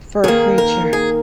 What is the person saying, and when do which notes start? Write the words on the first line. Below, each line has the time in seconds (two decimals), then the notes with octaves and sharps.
fur creature,
0.24 D#3 A#3 G#4
0.58 A#4
0.93 G#4